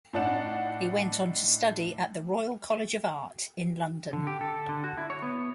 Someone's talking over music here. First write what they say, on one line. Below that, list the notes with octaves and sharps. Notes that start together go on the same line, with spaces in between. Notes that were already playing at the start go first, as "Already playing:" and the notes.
He went on to study at the Royal College of Art in London.
A2 D4 D#4 D5 F#5 E7
D3
G4
A4
D3
F#4
E4
C#5
B3